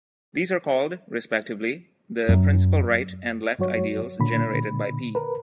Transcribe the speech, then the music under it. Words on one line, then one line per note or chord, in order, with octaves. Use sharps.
These are called, respectively, the principal right and left ideals generated by "p".
F#2
G2 F#3 F#4 C#5
A#2 D3 B5
A#4 B4